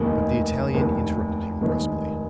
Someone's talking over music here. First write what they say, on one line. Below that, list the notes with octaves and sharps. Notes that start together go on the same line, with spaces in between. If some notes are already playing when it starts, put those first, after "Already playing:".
But the Italian interrupted him brusquely.
Already playing: F1 D#2 D#3 G#3 D#4
F1 D#2 D#3 G#3
F1 D#2 D#3 G#3